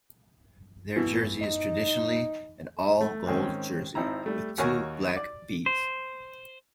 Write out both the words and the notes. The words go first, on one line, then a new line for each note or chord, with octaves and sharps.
Their jersey is traditionally an all gold jersey with two black 'V's.
B2 E3
D#4
A3
G#2 D#3 C4 C#4
G#1 C4 D#4 E4 A#5
G3 A3
D#2 F#4 A#4 C#5 G#5 C#6
D5
C5